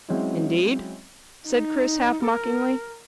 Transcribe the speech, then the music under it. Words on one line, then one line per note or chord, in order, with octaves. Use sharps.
"Indeed?" said Chris half mockingly.
F#3 G#3 C4 C#4 E4
D#4
A#4